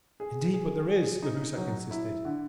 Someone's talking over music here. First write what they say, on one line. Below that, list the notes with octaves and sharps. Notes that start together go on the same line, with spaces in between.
"Indeed, but there is," Cahusac insisted.
G#4
G#4
G#4
D#4
F#3
E4
D3